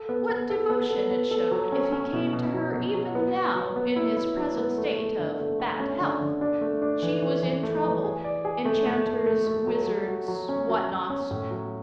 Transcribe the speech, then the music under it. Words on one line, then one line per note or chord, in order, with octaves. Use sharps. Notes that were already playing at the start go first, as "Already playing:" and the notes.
What devotion it showed if he came to her even now--in his present state of bad health! She was in trouble: enchanters, wizards, what-nots.
Already playing: A4
B3
B3
A4
B3
A4
B3
A4
F#3
C#4
C#4
B2
B2
F#3
B2
F#3
B3
B3
F#3
B3
E4
E4
F#3
B3
A3
A3
D3
A3
A3
C#4
D3
D3
D4
A3
D4
E3
E3
E3
A3
E3
G#4
D5
G#4
A3
A3
A3
A3
A3
F#3
F#3
F#4
F#3
C#4
F#3
F#4
C#4
A2
F#3